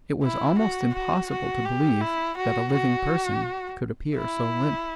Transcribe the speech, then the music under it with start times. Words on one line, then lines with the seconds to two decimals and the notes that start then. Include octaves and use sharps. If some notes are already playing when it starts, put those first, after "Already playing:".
It was almost impossible to believe that a living person could appear so limp.
0.23 E4
0.58 F#4
0.94 F#4
1.30 F#4
1.65 G4
2.01 E4
2.37 F#4
2.73 F#4
4.16 E4